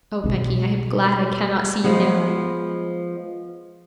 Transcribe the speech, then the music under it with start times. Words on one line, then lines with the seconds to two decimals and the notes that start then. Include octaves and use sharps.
O Becky, I am glad I cannot see you now!'
0.24 B2 G#3
1.84 F3 G#3 B3